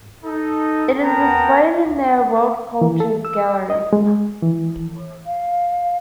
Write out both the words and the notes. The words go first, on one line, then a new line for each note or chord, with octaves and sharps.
It is displayed in their World Cultures galleries.
D#4 A4
B3 A#4 F#5 G5 A5 A#5
E3
A4
E6
D#5
G#3
E3
F5